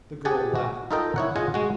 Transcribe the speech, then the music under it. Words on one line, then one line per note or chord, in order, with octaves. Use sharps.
The girl laughed.
G4 G#4 F#5 G#5 A5
F#4
D#4 F4 A4 A#4 D#5 G5
E4 C#5 F#5
F4 G#4 D#5 F#5 G#5
G#3 F#4